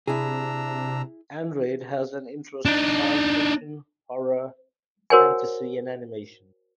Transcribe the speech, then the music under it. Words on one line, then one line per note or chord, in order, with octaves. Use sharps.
Andrade has an interest in science fiction, horror, fantasy and animation.
C3 D4 E4 G#4 A#5 E6
D4 D#4
F#4 A#4 C5 C#5 F#5 G#5